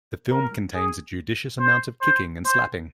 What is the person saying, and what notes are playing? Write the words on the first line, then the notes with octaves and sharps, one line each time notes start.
The film contains a judicious amount of kicking and slapping.
A#4
G#4
C5
C5
C5